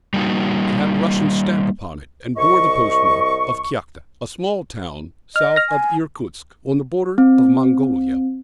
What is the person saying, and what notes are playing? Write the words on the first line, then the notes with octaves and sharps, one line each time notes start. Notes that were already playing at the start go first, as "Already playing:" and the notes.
It had a Russian stamp upon it, and bore the postmark of Kiakhta, a small town south of Irkutsk, on the border of Mongolia.
G3 A#3 D#4 F#4
C2 D#5 C#6
D#5 F6
F6 A#6
G#5
C4